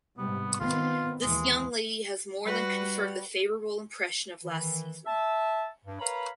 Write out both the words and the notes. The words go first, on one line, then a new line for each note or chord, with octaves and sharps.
This young lady has more than confirmed the favourable impression of last season.
G#2 C3 G3 B3
D#3 B3 C4 F4
D#2 E3 G#3
G3 F#4 B4
D#3 E3
E5 A5
G2
A#4 B4 C#5 F5 A#5 B5